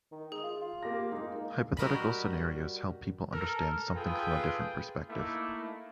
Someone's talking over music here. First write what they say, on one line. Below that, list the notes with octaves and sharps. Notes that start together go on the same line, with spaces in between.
Hypothetical scenarios help people understand something from a different perspective.
D#3
G#3 G#4
F4
F4
A#3 G4 A#6
G#3 A#3 D#4
G3 F#4 A#4 D#5 B5
A4 A#4
F4 G#4 A4 B4 G5
A3 A#3 D#4 E4